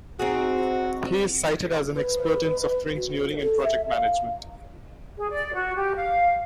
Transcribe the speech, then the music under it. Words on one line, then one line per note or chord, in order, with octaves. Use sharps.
He is cited as an expert in software engineering and project management.
C4 D#4 F#4 G#4
B4
F#4
A4
E5
F5
G#4
D5
F#4
G4
F5